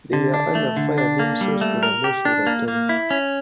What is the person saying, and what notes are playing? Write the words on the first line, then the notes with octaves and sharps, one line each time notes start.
They were under fire themselves for most of the time.
D3
D4
A3
D3
D4
A#3
G3
A3
A#4
G4
D4
A#3
A#3
E4
C#4